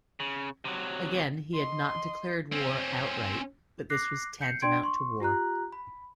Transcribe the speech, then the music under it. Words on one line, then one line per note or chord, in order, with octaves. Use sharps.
Again, he had not declared war outright - but this was tantamount to war.
C#3
C3 F#3
D#5 C6
C4 C#4
D6 F#6 A#6 C7
G6 C7 C#7
D4 D5 G5 C6 G#6 D7
C6 C#6
F4 G4 A#5 F#6
B5